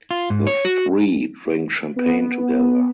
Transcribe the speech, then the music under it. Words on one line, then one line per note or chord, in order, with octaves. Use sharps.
The three drink champagne together.
F4
G#2
C#5
F#4
B3